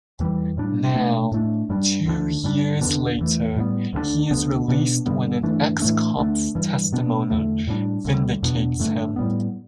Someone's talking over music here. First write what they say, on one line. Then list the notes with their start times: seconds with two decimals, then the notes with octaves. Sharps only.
Now, two years later, he is released when an ex-cop's testimony vindicates him.
0.20 E2 E3 G3
0.57 A2 G3 D4
0.94 B2 A3 D4
1.32 A2 A3 D4
1.69 G2 G3 D4
2.06 D2 D3 G3 D4
2.44 G2 G3 D4
2.81 E2 D3 B3 D4
3.19 E2 E3 A3
3.56 A2 G3 B3
3.93 D2 D3 G3 D4
4.31 D2 D3 B3 D4
4.68 B2 B3 D4
5.06 G2 D3 G3 B3
5.43 G2 E3 A3 D4
5.80 A2 E3 A3 D4
6.17 D2 D3 A3 D4
6.55 G2 E3 G3
6.92 B2 B3 D4
7.30 E2 D3 A3
7.67 A2 G3 B3 D4
8.05 D2 D3 G3
8.42 E2 B2 B3 D4
8.79 G2 D3 A3 D4
9.16 A2 G3 B3